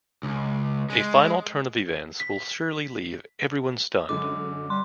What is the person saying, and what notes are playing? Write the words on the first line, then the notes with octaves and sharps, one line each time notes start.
A final turn of events will surely leave everyone stunned!
C#2
G#3
B6
F#2 D3 G#3 D6
G3 C6